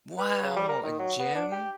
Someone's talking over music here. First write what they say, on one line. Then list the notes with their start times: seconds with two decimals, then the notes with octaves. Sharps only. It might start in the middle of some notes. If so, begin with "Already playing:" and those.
Wow. A gym?
0.18 B4
0.42 C#3
0.56 G3
0.68 A#4
0.83 D#3
0.99 F#3
1.19 B3
1.35 D4
1.52 G4